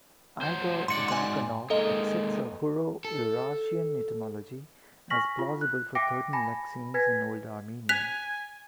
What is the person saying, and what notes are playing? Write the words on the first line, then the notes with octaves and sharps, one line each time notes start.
Igor Diakonoff accepts a Hurro-Urartian etymology as plausible for thirteen lexemes in Old Armenian.
F#3 C5
G#2 F#4 D5 C6 C#7
G#5 C6
G#3 A#3 D#4 A4 D#5
A4
G#5 C#6 F6 A#6 B6 F#7
F4
F#6
E5 G5 D6 A#6 B6 D7
G#5 A5 B5 A#6
B4 G#5 G#6 A#6 B6
G#5 F#6 B6 F7